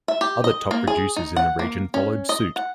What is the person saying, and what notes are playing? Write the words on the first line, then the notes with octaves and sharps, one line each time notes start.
Other top producers in the region followed suit.
E5
G4
D#5
A#3
G#4
D#4
F#5
A#3
C#4
D#5
F#5